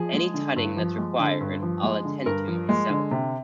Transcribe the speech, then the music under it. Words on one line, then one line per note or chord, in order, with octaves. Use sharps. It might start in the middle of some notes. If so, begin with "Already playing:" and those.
Any tutting that's required, I'll attend to myself.
Already playing: F3 G#4
G#3
D3
G2
F3
G#3
D3
G2
F3
G#3
D3
G2 A#4
F3
G#3
D3
C3